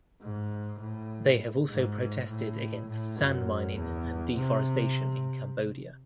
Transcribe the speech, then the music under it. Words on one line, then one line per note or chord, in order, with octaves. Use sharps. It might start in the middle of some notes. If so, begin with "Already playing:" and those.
They have also protested against sand mining and deforestation in Cambodia.
G#2
A2
G#2
A2
A2
F#2
E2
C3